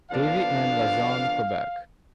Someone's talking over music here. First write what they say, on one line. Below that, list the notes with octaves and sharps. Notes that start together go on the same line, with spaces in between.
Davie in Lauzon, Quebec.
D3 F3 B3 D4 F5